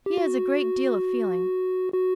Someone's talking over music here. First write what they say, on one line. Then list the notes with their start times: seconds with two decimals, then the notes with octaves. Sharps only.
He has a great deal of feeling.
0.06 G4
0.17 F#4
1.94 F#4